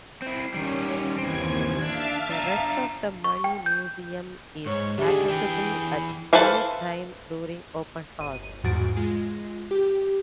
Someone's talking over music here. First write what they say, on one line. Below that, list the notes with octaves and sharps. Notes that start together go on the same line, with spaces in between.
The rest of the Money Museum is accessible at any time during open hours.
C4 E4 C7
D#3 G3 C#4
D#2 E3 C4 G#6
D4 E5 F5 A5
D4 A#5
C#6
G5
G6
G#2 C#5
D2 D#3 D4 G4 G#4 E5
E3 G#4 G5
A4 B4 C5 E5 F5
G1 D#7
E2 G#2 F3 F#4 A6 D7
G#3 F4
G4